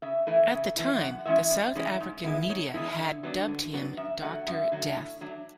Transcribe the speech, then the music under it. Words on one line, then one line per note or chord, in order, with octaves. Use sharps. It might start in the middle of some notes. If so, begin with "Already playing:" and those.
At the time, the South African media had dubbed him "Dr Death".
C#3 E5
E3 A3 E4
C#3
E3 A3 E4
F#2 F#5
E3 G#3 C#4 E4 E5
F#2 D5
E3 G#3 C#4 E4
G#2
E3 G#3 B3 E4
G#2 C#5
E3 G#3 B3 E4 E5
D3
F#3 B3 D4
D3
F#3 B3 D4
F#2 E5
D3 F#3 A3 F#5
F#2 E5
D3 F#3 A3
A2
F#3 A3 D4